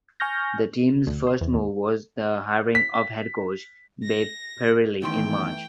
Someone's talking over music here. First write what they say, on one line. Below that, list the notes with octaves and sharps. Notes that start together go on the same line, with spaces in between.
The team's first move was the hiring of Head Coach, Babe Parilli in March.
G#5 C#6 F6 G6 A#6
D2
C5
E2
D#2
B6
A#6
E2 D#3 E3 A3 G5 C6